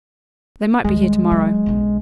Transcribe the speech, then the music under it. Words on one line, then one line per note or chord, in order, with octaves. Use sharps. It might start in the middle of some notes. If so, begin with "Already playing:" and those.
They might be here to-morrow.'
D#2 G3 G#3
F#3
B1 D3